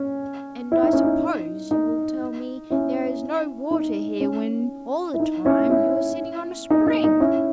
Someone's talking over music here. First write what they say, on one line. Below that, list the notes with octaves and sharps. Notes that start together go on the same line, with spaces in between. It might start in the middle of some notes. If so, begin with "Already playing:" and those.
"And I suppose you will tell me there is no water here, when all the time you are sitting on a spring."
Already playing: C#4
E4
D#4
C#4
D#4
D#4
C#4 E4
D#4
C#4
E4
D#4
C#4 E4
C#4 E4
D#4
D#4
D#4
C#4 E4